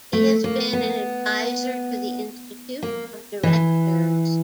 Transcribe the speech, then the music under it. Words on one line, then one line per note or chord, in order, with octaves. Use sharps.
He has been an advisor to the Institute of Directors.
A3
A#3
B3
A#3
E3